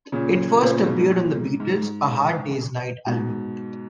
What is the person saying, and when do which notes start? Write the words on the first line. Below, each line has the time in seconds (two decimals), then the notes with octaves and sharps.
It first appeared on the Beatles' "A Hard Day's Night" album.
0.12 A#2 C#3
0.62 A#2 C#3
0.86 G#2 B2
1.11 A#2
1.35 G#2
1.60 G#2
3.07 G#2 B2